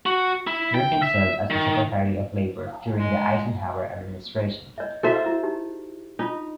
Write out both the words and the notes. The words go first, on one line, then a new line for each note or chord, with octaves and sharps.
Durkin served as the Secretary of Labor during the Eisenhower administration.
F#4
E4
G5
E5
D#3
G#3
C#5 D#5 E5
E4 F#4 G#4 A4 C5 E5
E4
D#4 G4
D4 D#4 F4